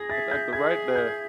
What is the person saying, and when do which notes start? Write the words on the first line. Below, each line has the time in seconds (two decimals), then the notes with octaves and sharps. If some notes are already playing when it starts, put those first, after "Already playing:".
It's at the right the
Already playing: G#4 A#6
0.10 E5 A6
0.31 G6
0.52 G#4 G#6
0.95 E5 G6